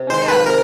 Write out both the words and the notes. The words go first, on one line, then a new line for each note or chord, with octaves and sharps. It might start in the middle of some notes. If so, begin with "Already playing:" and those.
Oh, yeah.
Already playing: C3
D#3 G#3 C5
B4
C3 A#4